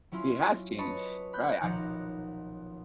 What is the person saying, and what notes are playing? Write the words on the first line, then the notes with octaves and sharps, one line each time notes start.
He has changed. Right I
F#3 C#4 E4 F4 C6
B4 C#5 D#5 A5 B5 C#6
B5 F#6 G6
D#1 B1 F3 D#4 F#5 A#6